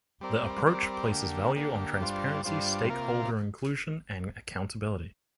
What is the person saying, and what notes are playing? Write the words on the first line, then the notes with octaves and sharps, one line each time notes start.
The approach places value on transparency, stakeholder inclusion, and accountability.
G3 C4 A#4 D5
G3 C4 A#4 D5
D3 A#3 G4
D3 A#3 G4
G2 G3 D4 F4 C5
G2 G3 D4 F4 C5
C3 A#3 F4 A#4